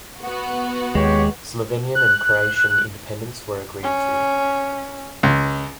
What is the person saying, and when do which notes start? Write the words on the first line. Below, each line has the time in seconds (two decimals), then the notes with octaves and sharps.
Slovenian and Croatian independence were agreed to.
0.21 B3 F#4
0.95 D#2 G#3 G4 C#5 G5
1.95 F#6
3.83 C#4
5.23 C#2